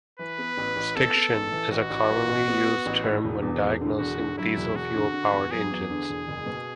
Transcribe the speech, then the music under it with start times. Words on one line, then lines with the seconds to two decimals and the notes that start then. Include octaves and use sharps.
Stiction is a commonly used term when diagnosing diesel fuel powered engines.
0.19 E3 B4
0.38 B3
0.57 A1
0.76 A1
0.96 B3 A4
1.15 B3
1.34 A1
1.52 E3
1.72 A1 F#4
1.90 A1
2.10 E3
2.29 A1
2.48 B3
2.67 B3
2.86 A1
3.04 A2
3.24 E1
3.42 E2
3.62 E1
3.81 D3
3.99 E1 F#4
4.19 D3
4.38 F#3 E4
4.57 E1
4.76 E1 F#4
4.95 D3
5.13 D3
5.32 E2
5.51 F#3 G#4
5.70 E2
5.90 D3
6.09 E1
6.28 F#1
6.46 B2